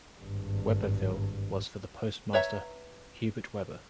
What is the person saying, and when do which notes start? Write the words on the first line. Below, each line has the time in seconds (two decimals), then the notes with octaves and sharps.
Webberville was for the postmaster Hubert Webber.
0.20 G#1 G2
2.33 B4 C#5 E5 A#5